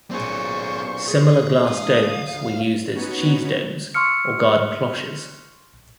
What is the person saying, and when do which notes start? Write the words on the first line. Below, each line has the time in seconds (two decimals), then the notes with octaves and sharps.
Similar glass domes were used as cheese domes or garden cloches.
0.11 B1 A#2 C4 C#4 G#4 C5 C#6
1.08 G#4
1.67 E3 G#3 D4 F5 D#6
2.26 D2
2.95 B3 C#4 D#4 F#4 B4 C#5
3.94 C6 C#6 E6 F6 C#7